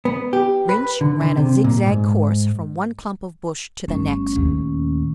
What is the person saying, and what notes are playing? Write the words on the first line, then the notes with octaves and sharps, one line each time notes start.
Rynch ran a zigzag course from one clump of bush to the next.
B3
G4
B4
D3
D3
C3
A#2
G#2
G1 A3 C#4
D#2 A#2